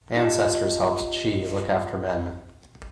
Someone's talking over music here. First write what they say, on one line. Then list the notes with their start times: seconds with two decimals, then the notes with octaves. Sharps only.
Ancestors helped chi look after men.
0.16 D#4 F4 G4 D#5